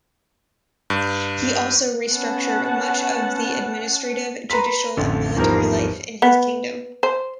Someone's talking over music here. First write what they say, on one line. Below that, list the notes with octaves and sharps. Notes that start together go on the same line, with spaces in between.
He also restructured much of the administrative, judicial and military life in his kingdom.
G2
B3 C#4 F#5 A5
B4 A#5 C6 B6
A1 F2 D3
G#1 E2 G#2 F3 G3 A#4
B3
C5